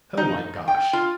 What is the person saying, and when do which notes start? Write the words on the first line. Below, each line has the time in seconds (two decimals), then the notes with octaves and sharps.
"Oh, my gosh!"
0.17 D#4
0.68 G5
0.93 F4